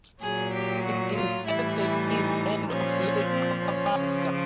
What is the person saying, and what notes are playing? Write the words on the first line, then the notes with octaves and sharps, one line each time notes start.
It is at the east end of Lake Athabasca.
A#2 F#3 G#4
G4
F#4
F4
A2 E3 G3 E4
E4
D#4
A#2 F3 C#4
C4
C#4
C#3 F3